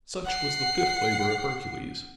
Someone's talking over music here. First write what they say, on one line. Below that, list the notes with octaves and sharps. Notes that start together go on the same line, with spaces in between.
Such was the fifth labor of Hercules.
F#5 C7